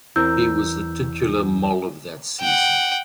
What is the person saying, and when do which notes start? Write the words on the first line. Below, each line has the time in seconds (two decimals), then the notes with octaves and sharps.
He was the titular Mol of that season.
0.16 E2 C4 E4 A#4 E6 G6
2.40 F#5 G5